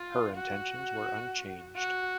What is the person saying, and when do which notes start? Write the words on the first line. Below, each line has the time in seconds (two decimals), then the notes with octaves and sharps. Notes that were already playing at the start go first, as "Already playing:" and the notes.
Her intentions were unchanged.
Already playing: F4
0.35 F#4
1.76 F#4